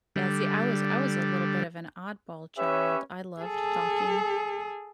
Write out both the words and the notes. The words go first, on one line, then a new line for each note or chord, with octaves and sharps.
Yeah, see, I was I was a little bit of an oddball child; I loved talking
D3 G3
C#4 G4 B4 C#5 E5
G#4 A4